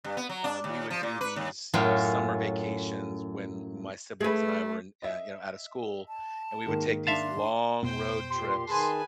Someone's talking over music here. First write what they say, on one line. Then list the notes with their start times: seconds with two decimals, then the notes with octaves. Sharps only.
um, we would do these, you know, summer vacations when m my siblings and I were in, yeah, you know, outta school, and we would take these long road trips,
0.04 G2
0.17 B3
0.29 F#3
0.44 D4
0.64 D#2
0.91 F3
1.03 A#2
1.21 B4
1.36 D#2
1.74 F#2 A2 F#3 C#4 F4
4.21 A3 G#4 B4
5.02 D#5 E5
6.08 A5
6.67 G#2 D#3 A#3
7.07 D4 E5 F5 A5 C6
7.83 F2 B2 B3 C5 G5
8.30 A#2 G4 C6
8.68 D#3 G#4 B4 G#5 A5